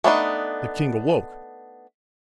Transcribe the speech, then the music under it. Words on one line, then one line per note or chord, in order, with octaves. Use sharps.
The king awoke.
A3 B3 D4 D#4